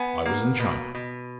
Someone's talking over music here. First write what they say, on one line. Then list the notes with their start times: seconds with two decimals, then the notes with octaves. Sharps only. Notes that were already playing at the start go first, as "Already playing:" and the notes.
I was in China.
Already playing: B3 G#5
0.25 A#3
0.60 B2
0.95 B2